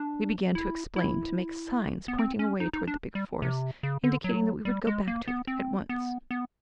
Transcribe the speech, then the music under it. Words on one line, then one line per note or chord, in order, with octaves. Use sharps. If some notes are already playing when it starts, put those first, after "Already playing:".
We began to explain, to make signs pointing away toward the big forest--indicating that we would go back to it--at once.
Already playing: D4
E4
E4
B3
C4
C#4
D#4
D#4
D4
G3
C3
C#3
D3
F#3
G3
G#3
A#3
B3
C4
B3
B3